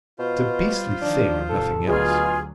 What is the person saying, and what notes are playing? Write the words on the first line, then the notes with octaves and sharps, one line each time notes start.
It's a beastly thing and nothing else.
B2 F4 C5
G3
D#3 F3 D4
G#2 C3 A4
D2 B2 F#3 F4 G#4